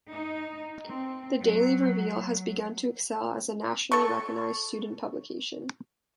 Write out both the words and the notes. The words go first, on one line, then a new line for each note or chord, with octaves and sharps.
The "Daily Reveille" has begun to excel as a nationally recognized student publication.
D#4
C4
F#3
A4 C#6